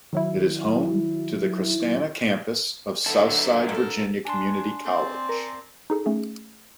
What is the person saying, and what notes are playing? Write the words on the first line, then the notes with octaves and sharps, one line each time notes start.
It is home to the Christanna Campus of Southside Virginia Community College.
D#3 F#3 E4
D3 F#3 B3 E4 A4
D3 F3 A#3 A4 A#4
D4 G#5 A5 C6
C4 D5
A#4
D#4 G#4 A4
A3 C#4 G#4